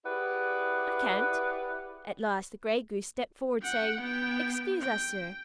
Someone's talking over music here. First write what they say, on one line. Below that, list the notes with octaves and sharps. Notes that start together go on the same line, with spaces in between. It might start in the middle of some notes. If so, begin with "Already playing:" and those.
I can't." At last the Gray Goose stepped forward, saying, "Excuse us, sir.
E4 G4 G#4 B4 D5 F#5
F#5 G5
B3 G5
G5